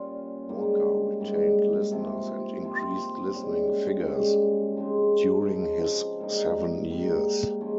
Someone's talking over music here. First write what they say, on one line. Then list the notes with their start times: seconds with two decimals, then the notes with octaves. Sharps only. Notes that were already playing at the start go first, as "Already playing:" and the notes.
Walker retained listeners and increased listening figures during his seven years.
Already playing: A#2 G3 C#4 F4
0.49 G#2 G3 A#3
1.20 G#2 G3 A#3
1.92 C3 F3 C4 F4
2.62 C3 F3 C4 F4
3.34 G#2 G3 C#4
4.05 G#2 G3 C#4
4.76 C#3 F3 C4 D#4
5.48 C#3 F3 C4 D#4
6.19 G#2 G3 A#3 D#4
6.90 G#2 G3 A#3 D#4
7.61 F3 G#3 C#4